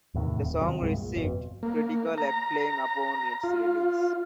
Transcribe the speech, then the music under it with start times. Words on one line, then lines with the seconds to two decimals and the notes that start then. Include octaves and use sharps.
The song received critical acclaim upon its release.
0.14 E2 A2 C3 D#3
0.44 D#1
0.61 C3 D#3 F#3 C4
0.80 C2 G2 F3 G#3
0.96 A#2
1.15 G1 F2 B2
1.63 A#3
2.18 A#5
3.44 F4